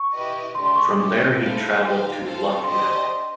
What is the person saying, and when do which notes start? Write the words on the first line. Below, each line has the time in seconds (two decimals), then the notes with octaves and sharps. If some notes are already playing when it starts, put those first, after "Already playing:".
From there he travelled to Lucknow.
Already playing: C#6
0.13 E4 G4 B4 D#5
0.55 A3 D4 G4 C6
0.66 C6
0.76 C#6
0.86 D6
0.97 C#4 E4 G4
1.39 E4 A4 C5 F5
1.81 D#4 G4 C5 F5
2.22 C4 F4 A4 C5 F5
2.64 D4 G4 C5 D#5 C6